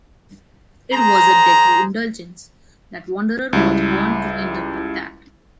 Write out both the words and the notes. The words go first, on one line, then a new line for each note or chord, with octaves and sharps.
It was a deadly indulgence: that wanderer was bond to end up like that.
G#4 C5 A#5
C#2 G3 E4